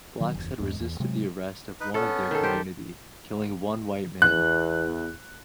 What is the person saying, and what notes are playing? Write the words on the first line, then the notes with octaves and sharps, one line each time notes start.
Blacks had resisted the arrest of one of their community, killing one white man.
D#3 F#3
F#1 E2
E2 G#2
E2
C3 F#3 G#3
D#4 B4
B3 C#4 A4
D#3 A4
G4 C5
E2 F#6